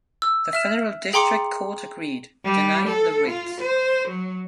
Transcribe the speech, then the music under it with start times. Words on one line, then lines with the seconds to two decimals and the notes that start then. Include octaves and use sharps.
The federal district court agreed, denying the writ.
0.22 E6
0.53 E5 F6 E7
1.13 G#4 G5 A#5 C6 D6 C#7
2.45 G3
2.88 A4
3.28 F4
3.61 C5
4.09 F#3